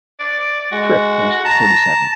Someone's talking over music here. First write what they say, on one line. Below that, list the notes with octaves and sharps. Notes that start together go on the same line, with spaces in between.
Fripp was thirty-seven.
D5
G#3 F#4
A5 A#5